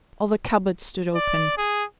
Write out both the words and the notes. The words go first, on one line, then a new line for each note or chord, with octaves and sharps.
All the cupboards stood open.
D5
G#4